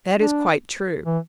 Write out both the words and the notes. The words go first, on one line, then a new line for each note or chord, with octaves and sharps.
That is quite true.
D4
E3